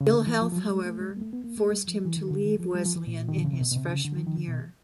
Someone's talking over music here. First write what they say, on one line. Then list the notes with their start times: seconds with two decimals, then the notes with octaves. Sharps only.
Ill health, however, forced him to leave Wesleyan in his freshman year.
0.01 C#3
0.13 D3
0.27 E3
0.42 F3
0.52 F3
0.56 F#3
0.70 G#3
0.86 A3
1.00 G#3
1.11 G3
1.17 A#3
1.21 A3
1.33 B3
1.44 A#3
1.58 A3
1.73 G3
1.88 F3
2.05 E3
2.17 D#3
2.31 D3
2.45 D#3
2.60 F3
2.75 G3
2.85 F3
2.96 E3
3.07 A#2
3.29 D#3
3.37 D3
3.45 C#3
3.53 C3
3.61 B2
3.72 B2
3.76 C3
3.85 D3
3.90 C#3
4.05 D3
4.17 D#3
4.27 D#3
4.38 D3
4.48 B2